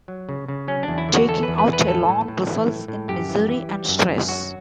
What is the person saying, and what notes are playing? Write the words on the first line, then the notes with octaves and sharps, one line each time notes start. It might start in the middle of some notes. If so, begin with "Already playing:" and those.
Taking out a loan results in misery and stress.
F#3
C#3
C#3
F#3 C#4
D4
E2
E4
D3 F#4
E2 A4
B4
E2
B4
E2
B4
A2 A4
A2
A2
E3
A2
A2
F#2 G4
E3
E3
G3
F#2
F#2
F#3 F#4